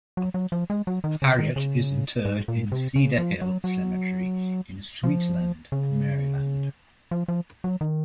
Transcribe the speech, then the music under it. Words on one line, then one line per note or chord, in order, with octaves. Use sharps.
Harriet is interred in Cedar Hill Cemetery in Suitland, Maryland.
F#3
F#3
F3
G#3
F#3
D#3
C#3
D#3
C#3
G#2
A#2
C3
C#3
F3
F#3
F#3
F3
C#3
F3
F3
F#3
D#3